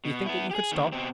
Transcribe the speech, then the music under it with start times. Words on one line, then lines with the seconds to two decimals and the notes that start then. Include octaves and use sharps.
You think that you could stop?
0.05 B2
0.26 B3 E4
0.51 G4 G#4
0.72 D#2 D#3
0.92 B2 C4